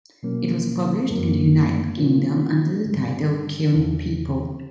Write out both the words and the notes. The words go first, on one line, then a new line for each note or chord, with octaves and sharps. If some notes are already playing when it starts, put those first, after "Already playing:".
It was published in the United Kingdom under the title "Kil'n People".
B2 F#3 A#3 C#4
F#2 D3 F#3 A#3
A#2 F#3 A#3 C#4 F4
G2 D3 G3
E2 C#3 F3